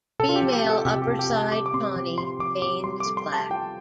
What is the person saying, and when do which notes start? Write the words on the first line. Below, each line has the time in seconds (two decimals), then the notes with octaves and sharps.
Female upperside tawny, veins black.
0.20 C3 A4
0.29 F4
0.36 G4
0.42 F3
0.52 G4
0.64 C4
0.69 A4
0.86 C3 G4
1.02 G4
1.08 C3
1.19 G4
1.30 C3
1.36 A5
1.52 G4 D6
1.66 D6
1.74 C4 C6
1.96 F3 D6
2.18 G4 C6
2.40 F3 D6
2.62 G4 D6
2.84 G3 C6
3.00 D6
3.06 A4
3.17 C6
3.28 G3
3.34 A5
3.50 F4 G5